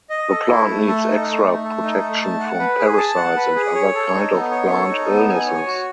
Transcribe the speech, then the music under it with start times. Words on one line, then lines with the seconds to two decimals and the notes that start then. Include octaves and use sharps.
The plant needs extra protection from parasites and other kind of plant illnesses.
0.10 D#5
0.30 A4
0.48 E4
0.68 A3
0.87 A4
1.06 D#4
1.26 A3
1.44 A3
1.64 A4
1.83 D#4
2.01 A3
2.21 A5
2.40 F#5
2.59 B4
2.79 G#4
2.98 A5
3.17 F#5
3.36 B4
3.56 G#4
3.74 C#5
3.95 A4
4.13 D#4
4.32 B3
4.51 C#5
4.71 A4
4.90 D#4
5.09 B3
5.28 G#5
5.47 C#5
5.67 F#4